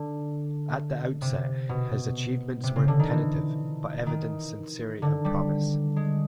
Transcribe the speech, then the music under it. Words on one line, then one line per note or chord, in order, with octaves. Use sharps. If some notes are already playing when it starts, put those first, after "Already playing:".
At the outset his achievements were tentative, but evidenced sincerity and promise.
Already playing: D3
C3
B2
C3
C#3
D3
D#3
E3
D#3
D3
G3
G#3